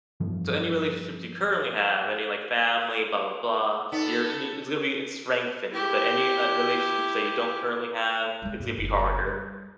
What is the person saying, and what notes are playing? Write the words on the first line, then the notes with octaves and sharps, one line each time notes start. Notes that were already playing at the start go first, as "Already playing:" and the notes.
So, any relationships you currently have, any, like, family, blah, blah, blah, you're and i it's gonna be it's strengthened. But any, uh, relationships that you don't currently have, it's gonna be harder
G2 E3 F3
B3 D#4 A4 D5
E4 G4
G#3 A3
G#2
F#1 F4
G3